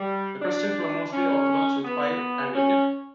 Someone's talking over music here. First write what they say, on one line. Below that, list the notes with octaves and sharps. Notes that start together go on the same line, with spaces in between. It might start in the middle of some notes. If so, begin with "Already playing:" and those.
The Christians were mostly Orthodox with five Anglicans.
Already playing: G3
D4
C#4
B3
C#4